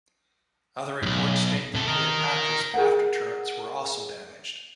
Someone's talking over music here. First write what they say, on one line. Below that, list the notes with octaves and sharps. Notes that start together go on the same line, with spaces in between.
Other reports state that "Cleopatra's" after turrets were also damaged.
B1 G#2
C3 A4
A#4 D#5
G#4 A#4 F#5